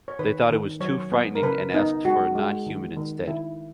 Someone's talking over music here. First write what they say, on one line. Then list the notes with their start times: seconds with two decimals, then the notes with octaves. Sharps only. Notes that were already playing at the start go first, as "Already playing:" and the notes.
They thought it was too frightening and asked for a non-human instead.
0.08 C#5
0.19 D#3 B4
0.50 D#3
0.80 F#3 C#5
1.12 B3
1.35 A#4
1.43 C#3 B4
1.74 B3 D#4
2.05 G#3 F#4
2.35 G#3
2.67 D#3
2.97 D#3
3.27 D#3 E4